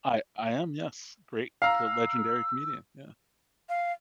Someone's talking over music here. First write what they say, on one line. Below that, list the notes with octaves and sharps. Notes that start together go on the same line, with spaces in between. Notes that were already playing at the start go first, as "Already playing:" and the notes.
I I am, yes, great, gre legendary comedian, yeah.
F5 A#5 E6
F5